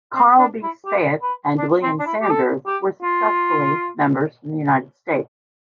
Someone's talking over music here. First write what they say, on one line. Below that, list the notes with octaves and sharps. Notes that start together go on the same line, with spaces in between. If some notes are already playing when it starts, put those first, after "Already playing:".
Carl B. Spaeth and William Sanders were successively members from the United States.
C4
D4
E4
G4
B4
D4
C4
D4
E4
G4
A4
G4
F4